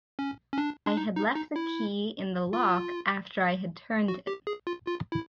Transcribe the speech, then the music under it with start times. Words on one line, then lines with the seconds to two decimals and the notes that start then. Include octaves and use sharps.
I had left the key in the lock after I had turned it.
0.19 C#4
0.53 C#4
0.58 D4
0.87 D4
0.97 D#4
1.17 D#4
1.36 D#4
1.56 E4
2.53 F4
4.08 F#4
4.27 G4
4.47 G#4
4.67 F4
4.87 F4
5.12 E4